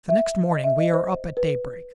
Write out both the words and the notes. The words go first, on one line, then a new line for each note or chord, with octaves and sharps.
The next morning we are up at daybreak.
E5
D#5
E5
D#5
C5
B4